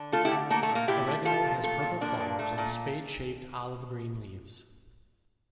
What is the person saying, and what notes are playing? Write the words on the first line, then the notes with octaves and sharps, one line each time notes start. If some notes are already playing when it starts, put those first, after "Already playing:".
Oregano has purple flowers and spade-shaped, olive-green leaves.
Already playing: D3
A3 F4 A4
E4 G4
D3
A3 A#3
A3
A#2
A#3
A#2 E4 G4
A3
F3 F4 A4
A#2
A3 F4 A4
A#2
F3 A#3 D4
A#2
A3
A#2